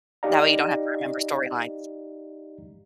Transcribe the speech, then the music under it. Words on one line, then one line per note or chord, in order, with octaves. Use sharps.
that way you don't have to remember storylines.
D#4 G4 D5 D#5 F5 A#5